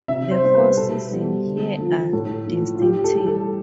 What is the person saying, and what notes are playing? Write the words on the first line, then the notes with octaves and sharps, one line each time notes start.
The four seasons here are distinctive.
C3 E5
C5
G3 B3 C5
B4
B2 A4
G3 B3
D3
F3 A3
A2 A4
F3 A3
F4
A2 G4
A4
E3 G3
A4